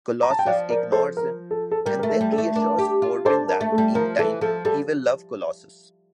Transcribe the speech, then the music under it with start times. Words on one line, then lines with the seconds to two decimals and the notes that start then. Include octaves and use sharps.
Colossus ignores him, and then reassures Forbin that, in time, he will love Colossus.
0.23 A#5
0.30 A5
0.39 G5
0.46 F3 D5 F5
0.69 A#4 D5
0.92 A4 C5
1.17 A#4
1.51 A4
1.71 A4
1.86 G3 A#4
1.99 A3 A#4
2.10 A4
2.21 G3
2.32 A4
2.38 A3
2.56 D4 A#4
2.79 G4
3.02 F4
3.25 D4 A4 C5
3.48 A#4
3.61 A3
3.72 A4
3.78 G3
3.95 F3 A#4
4.19 E3 A4
4.41 F3 A4
4.65 G3 A4